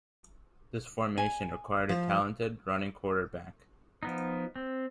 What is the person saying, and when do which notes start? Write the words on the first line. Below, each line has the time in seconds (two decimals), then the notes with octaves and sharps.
This formation required a talented, running quarterback.
1.18 G#5
1.89 F3
4.03 F3 B3 D#4
4.56 C4